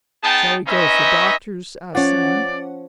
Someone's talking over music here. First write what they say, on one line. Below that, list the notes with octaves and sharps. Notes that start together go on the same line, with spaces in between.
"Shall we go for doctors?" asked Sam.
B3 D#4 G#4 G5 A5
C4 C#4 D#4 B4 D#5 E5
F3 C#4 C#5 D5 F#5